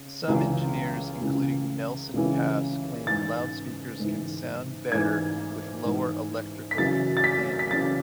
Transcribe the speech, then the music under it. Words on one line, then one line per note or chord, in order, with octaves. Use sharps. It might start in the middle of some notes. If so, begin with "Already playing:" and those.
Some engineers, including Nelson Pass claim loudspeakers can sound "better" with lower electrical damping.
Already playing: C#3
C#2 C#3 E3
C#2 C#3 E3
C#2 C#3 E3
G#2 E3 A6
G#2 E3
G#2 E3 G#6
G#2 E3
B6
F#2 C#3 E3 A6
A6
B6
B6
F#2 C#3 E3 A6